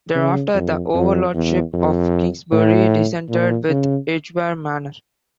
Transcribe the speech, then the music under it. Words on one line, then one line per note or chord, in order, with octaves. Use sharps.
Thereafter the overlordship of Kingsbury descended with Edgware manor.
C#3
F2
F2
E2
F2
A2
A#2
C#3